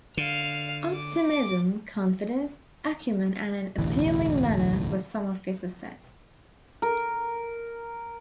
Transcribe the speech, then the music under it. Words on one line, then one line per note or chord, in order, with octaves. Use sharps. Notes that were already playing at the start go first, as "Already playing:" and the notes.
Optimism, confidence, acumen and an appealing manner were some of his assets.
D3 F5 F7
D6
E1 A1 D2 E3
A#4